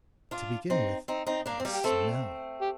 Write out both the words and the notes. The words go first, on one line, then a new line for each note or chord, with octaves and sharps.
To begin with the smell.
D4 F4
C4 D#4
C4 D#4
C4 D#4
A#3 D4
C4
G3 A#3
G4
A3 C4 A4
G4